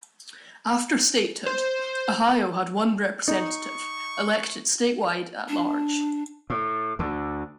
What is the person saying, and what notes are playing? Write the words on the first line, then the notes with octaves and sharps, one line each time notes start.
After statehood, Ohio had one representative, elected statewide at-large.
C5
D#4 C#6
D4
A2
D2 D3